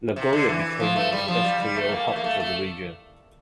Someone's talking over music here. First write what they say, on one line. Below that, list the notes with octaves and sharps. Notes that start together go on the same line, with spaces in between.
Nagoya became an industrial hub for the region.
C3
D3
E3
F3
A3
G3
F3
G3
G3
A3
A#3
A3
A#3
A3
A3